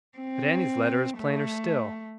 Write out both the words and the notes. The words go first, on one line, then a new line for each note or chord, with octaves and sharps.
But Annie's letter is plainer still.
C4
A3